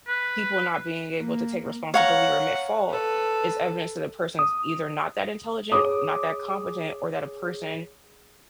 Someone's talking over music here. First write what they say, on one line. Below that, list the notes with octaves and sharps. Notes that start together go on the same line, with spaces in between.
people not being able to take responsibility or admit fault is evidence that a person's either not that intelligent, not that competent, or that a person,
B4
A#3
C#5 F5 F#5 A#5
A4 B4
D#6
G#4 C#5 D6 D#6